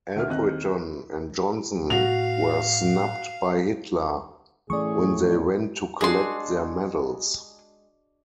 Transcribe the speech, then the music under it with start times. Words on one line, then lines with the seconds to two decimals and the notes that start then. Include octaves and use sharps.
Albritton and Johnson were snubbed by Hitler when they went to collect their medals.
0.16 D2 E5 F6
0.28 D#2 C4 D#5 F#6
1.90 A2 F#4 F5 F7
4.70 A2 E3 A3 C#4 G#4 D5 C#6
6.01 G#3 D4 F#4 G#4 C6